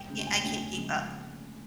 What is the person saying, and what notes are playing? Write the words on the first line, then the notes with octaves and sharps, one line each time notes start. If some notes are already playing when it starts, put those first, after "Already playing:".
ca I can't keep up.
Already playing: E1 G5
D2 C#3
E1 G#5
D2 C#3
D2
C#3 F3 G#3